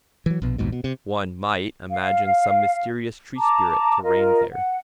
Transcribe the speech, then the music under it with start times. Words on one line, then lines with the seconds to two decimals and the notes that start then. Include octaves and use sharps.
One might imagine some mysterious "tree-spirit" to reign there.
0.26 E3 F#3
0.42 A#1 B2
0.58 A#1 D#2 G#2 B2
0.72 B2
0.84 C3
1.90 F5
3.37 A5 A#5 D6
4.03 F4 A#4 D#5
4.52 F#5